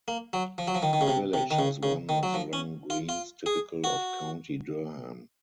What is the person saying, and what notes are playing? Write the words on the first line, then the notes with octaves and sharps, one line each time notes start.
The village has one of the long greens typical of County Durham.
A#3
F#3
F3
F#3
F3
D#3
D#3
C#3
C3
C3
D#3
C#3
C#3
D#3
F#3
F3
C#4
F4
F4
G#4
F#4